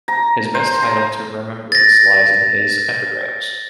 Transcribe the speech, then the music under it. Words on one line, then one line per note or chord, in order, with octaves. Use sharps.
His best title to remembrance lies in his epigrams.
A#5
C5
A#5
A6 A#6